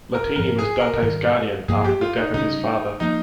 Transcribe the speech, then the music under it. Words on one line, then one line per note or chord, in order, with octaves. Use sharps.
Latini was Dante’s guardian after the death of his father.
A#4
G#2 F3 C4 A#4
G#4
A#4
G#2 D#3 G3
G2 F3 A#3 G#4
G4
F4
D#4
C#3 G3 C#4 D#4
F3 A#3 D#4